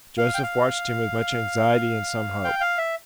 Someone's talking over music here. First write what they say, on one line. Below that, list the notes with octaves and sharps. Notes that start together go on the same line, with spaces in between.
Joseph watched him with much anxiety and some hope.
F5
G5
F5
G5
F5
E5